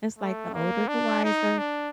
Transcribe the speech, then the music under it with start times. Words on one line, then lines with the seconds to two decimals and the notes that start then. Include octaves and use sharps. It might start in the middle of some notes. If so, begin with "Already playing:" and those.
It's like the older, the wiser,
0.19 A3
0.54 A#3
0.88 D4
1.24 D#4
1.58 D4